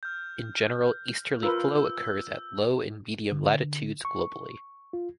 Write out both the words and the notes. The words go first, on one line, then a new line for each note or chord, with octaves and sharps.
In general, easterly flow occurs at low and medium latitudes globally.
F6 G6
F4 A#4 B4 E6
D3
C#6
F4